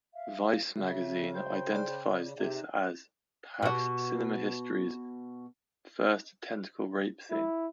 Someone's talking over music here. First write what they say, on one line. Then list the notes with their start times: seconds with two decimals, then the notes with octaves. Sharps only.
"Vice" magazine identifies this as "perhaps cinema history's first tentacle-rape scene".
0.14 E5 F5
0.77 C#3 F#4 E5
1.35 C5 G5
1.75 G#4 D5
2.38 C3 D#4 E5
3.62 B2 F#4
7.30 E4